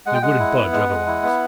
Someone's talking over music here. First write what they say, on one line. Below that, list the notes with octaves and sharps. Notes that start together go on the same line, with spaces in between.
They wouldn't budge otherwise.
G#3 F#5
G5
G#3 F#5
E4
B3
G#3
G#3
E4
B3